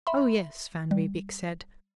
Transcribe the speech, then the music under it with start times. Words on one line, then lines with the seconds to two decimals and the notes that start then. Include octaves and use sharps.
"Oh, yes," van Riebeek said.
0.07 E5 B5 C6
0.91 G3